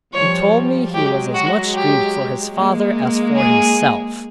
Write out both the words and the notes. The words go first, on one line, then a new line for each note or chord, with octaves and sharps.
He told me he was as much grieved for his father as for himself.
F3 G3 C#5
F#3 G#3 G4
F#4
G4
G#3 A#3
G#4